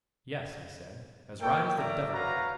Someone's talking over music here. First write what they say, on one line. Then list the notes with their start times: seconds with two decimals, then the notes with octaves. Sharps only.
"Yes," I said, "as right as the devil would have it."
1.41 A#3 A4 C#5 G5
1.76 D3 C#4 A#4 D5 E5 A#5
2.13 F#4 B4 C#5 F5 A#5